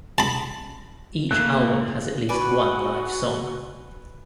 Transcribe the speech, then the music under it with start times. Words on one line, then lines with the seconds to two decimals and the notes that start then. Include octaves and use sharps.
Each album has at least one live song.
0.18 A5 B5
1.31 C#3 A3 A#3 F#6
2.29 F#4 B4 D5 G#5